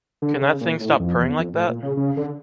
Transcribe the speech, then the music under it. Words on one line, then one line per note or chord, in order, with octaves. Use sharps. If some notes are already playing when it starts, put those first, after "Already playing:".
Can that thing stop purring like that?
D3
C#3
A#2
A2
F2
E2
F2
A2
A#2
C#3
C#3
D3